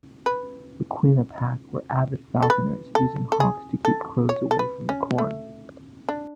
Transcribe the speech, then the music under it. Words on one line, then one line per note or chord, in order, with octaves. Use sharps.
The Quinnipiac were avid falconers, using hawks to keep crows away from the corn.
B4
A4
B4
A4
A4
G#4
A4
C#5
A4
B4
C#4
A3
D4